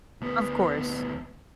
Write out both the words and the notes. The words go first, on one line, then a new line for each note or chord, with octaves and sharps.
Of course.
D2 B3